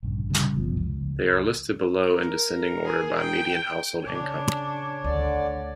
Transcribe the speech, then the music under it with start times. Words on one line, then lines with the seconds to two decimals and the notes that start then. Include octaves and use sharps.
They are listed below in descending order by median household income.
0.03 A#1 G2 C#3
0.29 A#2 C#3 G3
0.55 F#1 B2 F3
0.77 C#2
2.14 A#4
2.85 G#4
3.19 G5
4.02 C#3 D4 C#5
5.04 D2 D3 D5